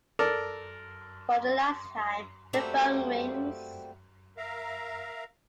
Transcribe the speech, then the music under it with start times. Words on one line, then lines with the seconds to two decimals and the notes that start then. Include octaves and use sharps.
For the last time, the phone rings.
0.19 A4 A#4 D5
2.53 G3 A3 A#3 C4 F#4 G4
4.37 A#4 E5 F5 A#5